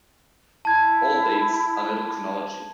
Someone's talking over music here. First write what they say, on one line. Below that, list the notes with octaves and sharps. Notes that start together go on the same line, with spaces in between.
All dates are middle chronology.
E4 A5 G#6